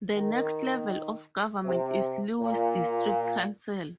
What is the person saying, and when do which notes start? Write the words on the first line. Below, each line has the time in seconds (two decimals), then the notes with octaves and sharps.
The next level of government is Lewes District Council.
0.15 D#3
1.65 C3
2.40 A#2